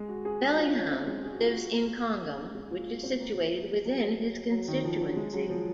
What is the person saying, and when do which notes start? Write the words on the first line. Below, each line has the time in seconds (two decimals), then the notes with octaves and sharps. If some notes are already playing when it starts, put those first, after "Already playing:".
Bellingham lives in Congham, which is situated within his constituency.
Already playing: G#3
0.08 F#4
0.25 G#4
0.42 G#4
0.50 F#4
0.58 F4
0.74 C#4
0.91 C4
1.07 G#3
1.24 G#4
1.32 F#4
1.41 F4
1.49 F#4
2.22 C#4
2.38 A#3
2.55 G#3
2.71 F4
2.87 F#4
3.03 C4
3.20 A#3
3.36 F3
3.85 F#3
4.51 F#3
4.68 D#3
4.84 F3
5.01 F#3
5.16 G#3
5.33 F#3
5.50 F3